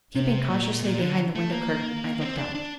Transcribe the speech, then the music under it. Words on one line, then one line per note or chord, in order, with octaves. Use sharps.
Keeping cautiously behind the window-curtain, I looked out.
C3
A#2
A#2
D3
A3
A#3
C4
D4
D4